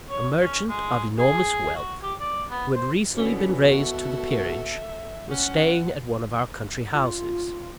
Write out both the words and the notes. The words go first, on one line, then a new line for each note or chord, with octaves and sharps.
A merchant of enormous wealth, who had recently been raised to the peerage, was staying at one of our country houses.
C#5
C#4
G#3
G#4
F#4
G4
D5
B3
C5
B2 D3 E3 B3 C#4
F#4 A4 E5
C#4 F#5
F4